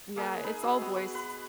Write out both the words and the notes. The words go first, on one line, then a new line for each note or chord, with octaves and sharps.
Yeah, it's all voice.
A#3 G#4 A#4 B4
D#4 G#4 B5
F#4 E5
B3 D#6
F#4 B4
B4